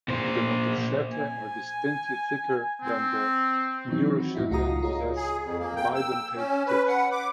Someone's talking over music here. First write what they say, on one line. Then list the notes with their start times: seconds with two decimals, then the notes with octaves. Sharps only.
The notochaetae are distinctly thicker than the neurochaetae and possess bidentate tips.
0.08 A#2 C5
1.13 G#5
2.82 C4
3.88 D#3 E3 F#3 C4 D#4
4.20 F#4
4.35 A2 D#4 E4
4.51 C#2 F4 F#4 D#5 A#5 D#6
4.82 F4 G#4 C#5
5.16 G#4
5.43 F2
5.59 A#3
5.76 G5
5.95 E6
6.36 C#4
6.67 B4
6.88 F#5
7.12 D6